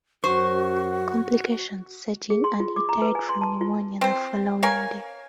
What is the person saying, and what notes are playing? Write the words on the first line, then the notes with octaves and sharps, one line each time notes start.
Complications set in and he died from pneumonia the following day.
F#2 F#4 C5 C#6
G#4
C6
F4
D6
A#5
B4
G#5
C6
A5
F4
C4 C5
A#4 C#5 F5 G#5